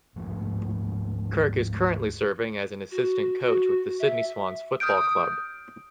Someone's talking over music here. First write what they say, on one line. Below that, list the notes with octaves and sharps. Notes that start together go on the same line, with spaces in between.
Kirk is currently serving as an assistant coach with the Sydney Swans Football Club.
D1 G#2 F3 A3
F#4
F#4
E5
D#6 F6 G6 D7